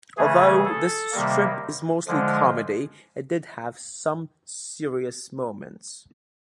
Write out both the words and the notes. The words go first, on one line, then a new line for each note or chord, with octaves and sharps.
Although this strip is mostly comedy, it did have some serious moments.
C#3 E3 A3 G#4
A4
C3 D#3 G3 A#3
D3 F3 G#3